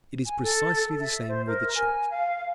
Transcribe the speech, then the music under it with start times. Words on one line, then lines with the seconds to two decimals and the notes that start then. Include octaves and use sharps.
It is precisely the same with the Church.
0.26 G#5
0.43 A4
1.00 E5
1.28 C5
1.47 A#4
1.75 G#5
2.10 F5